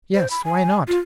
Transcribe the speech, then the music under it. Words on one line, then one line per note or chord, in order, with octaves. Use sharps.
"Yes, why not?"
C5
B5
G#5
F4